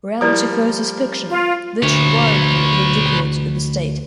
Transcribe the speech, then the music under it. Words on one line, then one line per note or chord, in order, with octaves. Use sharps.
Reality versus fiction, which widely ridiculed the state.
F3 G3 E4 A#4 D5 D#6
F4
D2 B4 C#5